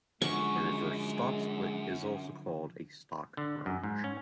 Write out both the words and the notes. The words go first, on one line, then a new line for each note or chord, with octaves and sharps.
A reverse stock split is also called a stock merge.
F#2 D3 F3 G#3 C#6
D3
F#2
G#2
C#4